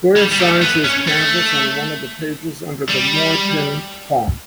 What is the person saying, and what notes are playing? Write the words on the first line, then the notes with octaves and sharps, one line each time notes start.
Goya signs his canvas on one of the pages under the Moratin palm.
G3
G3
A3
B3
C#4
A3
G3